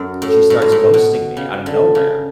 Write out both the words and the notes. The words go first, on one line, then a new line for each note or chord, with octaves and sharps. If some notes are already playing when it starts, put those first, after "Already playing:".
she starts ghosting me out of nowhere,
Already playing: F#2
A2
A2
G#2
A2
B2
C#3
D3
C#3